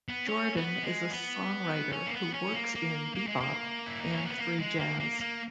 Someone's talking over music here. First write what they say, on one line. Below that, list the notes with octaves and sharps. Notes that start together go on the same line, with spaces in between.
Jordan is a songwriter who works in bebop and free jazz.
B3
C#4
B3
G#3
B3
C#4
A#3
B3
C#4
A#3
A#3
A#3
G#3
A#3
E4
D#4
C#4
B3
A#3
G#3
A#3
A#3
A#3